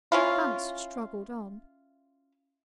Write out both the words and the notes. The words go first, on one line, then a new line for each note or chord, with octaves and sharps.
Hans struggled on.
C#4 E4 F4